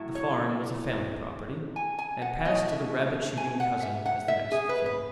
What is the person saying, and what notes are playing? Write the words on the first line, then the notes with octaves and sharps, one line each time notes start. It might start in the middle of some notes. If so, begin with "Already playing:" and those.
The farm was a family property, and passed to the rabbit-shooting cousin as the next-of-kin.
Already playing: A2 F#3 A3 E4
C#5
G#5
G#5
F#5
B2 A3 E4 D#5
E5
G#5
F#5
E5
F#5
E5
G#4
B4
B4